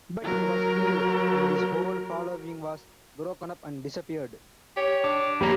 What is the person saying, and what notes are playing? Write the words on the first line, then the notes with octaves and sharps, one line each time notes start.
But he was killed and his whole following was broken up and disappeared.
F#3 A#4
G4 C#5
D4 D6
F2 A#3 G4 A#5 B5